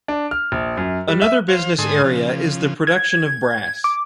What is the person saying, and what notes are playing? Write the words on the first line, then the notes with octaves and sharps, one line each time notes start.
Another business area is the production of brass.
D4
F6
A#1
F#2
G3
E5
C5 F5
G#2 D3 A4 G#5 C6 D#6
C#3 F3
G#6
D6